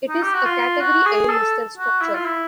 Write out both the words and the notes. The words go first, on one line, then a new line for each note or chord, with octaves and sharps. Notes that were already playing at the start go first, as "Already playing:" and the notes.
It is a Category A listed structure.
D#4
G4
F#4
F4
F#4
G#4
A4
F#4
E4
F4
E4